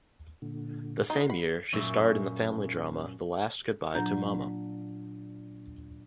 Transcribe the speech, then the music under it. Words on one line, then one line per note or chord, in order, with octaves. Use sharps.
The same year she starred in the family drama "The Last Goodbye to Mama".
A#2 D3
D#4 F#4 C6
B5
F#2 A#2 E5
A#2 F#3 D4 F4 A#5 G6